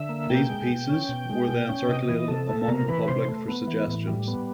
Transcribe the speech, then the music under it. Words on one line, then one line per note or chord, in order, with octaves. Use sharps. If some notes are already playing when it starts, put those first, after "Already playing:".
These pieces were then circulated among the public for suggestions.
Already playing: D3 E5
A#3
B2 G5
G#3
B2
C#4
B2
G#3
B2
C#4
C3 D#5
E3
C3 A4
A3
C3 A#4
E3 B4
C3 C5
A3
B3
E3
A2
G3
B3